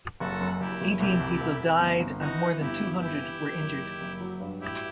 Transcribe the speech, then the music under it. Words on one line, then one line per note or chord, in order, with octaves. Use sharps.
Eighteen people died, and more than two hundred were injured.
F#1 F#4 A4
F#2
F#1 E4 G4
F#1
C2 E4 G4
C2
C2
C2
G1
G1
E3 D#4 F#4
E3
G1 E4 G4
G1
E3 E4 G4
E3
D#3
F#1
D#3
F#1
F#3
G2
A1 E4 G4